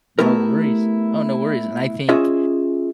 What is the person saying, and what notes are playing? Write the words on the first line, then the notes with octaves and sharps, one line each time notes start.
no worries. Oh, no worries. And I think
A3 B3 E4 G4 A#4
C#4 F4 G#4 D#5 E5